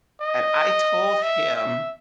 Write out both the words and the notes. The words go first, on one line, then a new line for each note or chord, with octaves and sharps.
And I told him
D#5
E5
E5